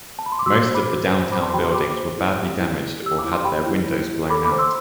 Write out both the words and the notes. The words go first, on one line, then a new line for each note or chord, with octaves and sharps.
Most of the downtown buildings were badly damaged or had their windows blown out.
A5
B5
C6
D6
F#4 C6 E6
C5
B5 D6
F#4
C5
C5 B5 D6
A5 C6
F#4 G5 B5
A5 C6
F#4 B5 D6
C5
E4
G4
E4
E4
G4 E6
D6
E4
C6
G4 G5 B5
E4
E4
E4
A4 B5 D6
B5 D6
C5
C6 E6